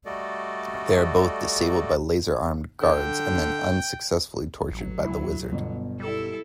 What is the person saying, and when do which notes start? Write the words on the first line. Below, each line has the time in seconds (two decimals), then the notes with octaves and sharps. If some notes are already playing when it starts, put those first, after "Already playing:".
They are both disabled by laser-armed guards and then unsuccessfully tortured by the wizard.
0.06 G3 A3 F#4 A4 D5 D#5
2.81 D3 G5
4.71 A1 F#3
5.04 D2 E4
5.52 G1 B2
6.00 G3 E4 A4